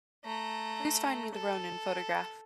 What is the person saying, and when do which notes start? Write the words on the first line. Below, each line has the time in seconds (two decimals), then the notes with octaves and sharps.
Please find me the Rounin photograph.
0.25 A3 A#5
1.35 A4